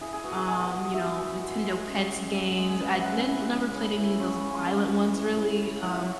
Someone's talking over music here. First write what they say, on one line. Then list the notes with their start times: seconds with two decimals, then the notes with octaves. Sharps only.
um, you know, Nintendo Pets games, I'd nin never played any of those violent ones really, um,
0.01 E4 G#4
0.13 G#4
0.24 B3 F#4
0.37 G#4
0.48 B2 G#4
0.70 B2
0.94 E4 E5
1.18 E4
1.41 G#3
1.63 G#3
1.87 C#4
2.10 B2
2.33 G#3 E5
2.57 G#3 G#4
2.69 G#4
2.80 C#3 B4
2.93 E5
3.04 G#3 F#5
3.16 G#5
3.27 E4 B5
3.50 C#3
3.74 C#3
3.97 E4
4.20 C#3 C#6
4.36 B5
4.44 C#4
4.51 G#5
4.66 E3
4.90 E3
5.13 E3
5.36 E3
5.60 E4
5.84 E3 F#5
5.93 E5
6.03 C#5